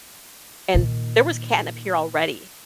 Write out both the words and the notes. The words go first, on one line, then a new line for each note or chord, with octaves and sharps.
and there was catnip here already
A#2 D#3